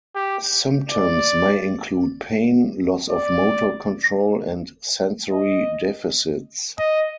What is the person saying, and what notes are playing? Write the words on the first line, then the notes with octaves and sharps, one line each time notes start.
Symptoms may include pain, loss of motor control, and sensory deficits.
G4
D5
D5
D#5
D#5